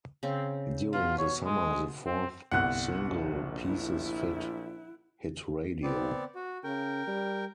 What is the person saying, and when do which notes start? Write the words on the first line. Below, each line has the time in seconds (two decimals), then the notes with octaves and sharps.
During the summer the fourth single "Pieces Fit" hit radio.
0.23 C#3 C4
0.93 B2 F4
1.18 C#5
1.45 G#3
2.06 C4
2.51 G1 C2 F#5 F#6
3.07 A#1
3.64 E4
5.83 B3 C4 D5
6.35 F#4
6.64 C#3 A#4 G5
7.07 G3